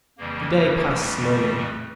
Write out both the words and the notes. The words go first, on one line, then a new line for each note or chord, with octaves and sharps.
The day passed slowly.
F2 C#3 E3 G3 A#3
A3
A3